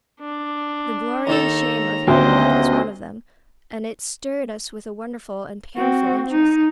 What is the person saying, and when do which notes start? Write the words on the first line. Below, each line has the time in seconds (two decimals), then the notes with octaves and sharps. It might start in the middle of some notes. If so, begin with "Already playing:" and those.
"The Glory and Shame of England" was one of them, and it stirred us with a wonderful and painful interest.
0.20 D4
1.27 D#2 D#3 A4 A#5
2.08 D2 B3 C#4 G4 C5 D#5
5.76 C4 F#4
6.31 D#4